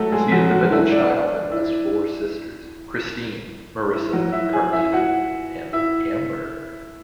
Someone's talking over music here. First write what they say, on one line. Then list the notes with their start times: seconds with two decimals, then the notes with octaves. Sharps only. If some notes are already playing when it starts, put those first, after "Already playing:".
She is the middle child and has four sisters: Christine, Marissa, Carmina and Amber.
Already playing: F#3 A3 F#4 A4
0.12 G#3 G#4
0.32 F#3 F#4
0.51 F#3 F#4
0.72 E4
0.91 D4
1.52 E4
3.93 E4
4.13 F#3 F#4
4.32 E4 E5
4.53 G#4 G#5
4.73 E4 E5
4.93 F#4 F#5
5.73 E4 E5